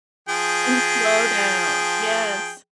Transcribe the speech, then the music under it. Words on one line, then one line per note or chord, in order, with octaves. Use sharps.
And slow down. Yes.
F3 G#4 G5